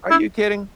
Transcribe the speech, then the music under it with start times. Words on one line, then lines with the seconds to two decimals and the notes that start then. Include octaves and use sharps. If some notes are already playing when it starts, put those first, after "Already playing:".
Are you kidding?
0.11 E4